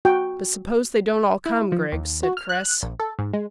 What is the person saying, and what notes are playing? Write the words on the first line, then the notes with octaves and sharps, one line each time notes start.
"But suppose they don't all come, Griggs?" said Chris.
F#4 G5
E4
F3
D#2
F#4
F6
F#6
A#1
A4
G#2
G#3